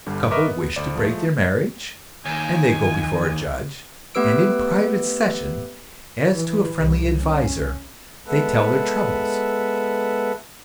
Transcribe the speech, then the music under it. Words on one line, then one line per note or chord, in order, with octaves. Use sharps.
A couple wish to break their marriage, and they go before a judge, and in private session, as to a friendly adviser, they tell their troubles.
G1 D3 G3
A#4 B4 D#5 E5 C#6 D6
B3
D2 C5 D5 E7
F3 G#3 A3
D#2 D#3 G#5
A3 B3 G4 B4 E6 D7
E3
C2
C#4
G#3 B3 A4 B4 E5 F#5